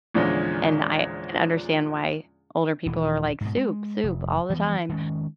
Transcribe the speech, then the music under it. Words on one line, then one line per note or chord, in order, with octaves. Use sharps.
and I can understand why older people are like, "Soup, soup all the time,"
E2 A#2 D3 F3 G#3 C#4
D#1 E3
G#2 B2
G#3
F1
E3 F3 A#3 B3
D#3 G#3 C#4